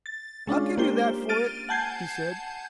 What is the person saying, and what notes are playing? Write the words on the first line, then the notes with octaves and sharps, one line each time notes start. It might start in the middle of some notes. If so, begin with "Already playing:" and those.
"I'll give you that for it," he said.
A6
G#3 C#4 D4 F4
A#3 G4 C5 G7
F6 A6 D7 D#7
F#5 G#5 A5 G6 G#6 C7